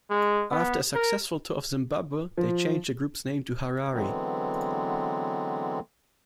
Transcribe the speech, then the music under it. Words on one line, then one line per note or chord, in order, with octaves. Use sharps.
After a successful tour of Zimbabwe they changed the group's name to Harari.
G#3
B3
A#4
F3
D3 E3 F#3 G#3 B3 C4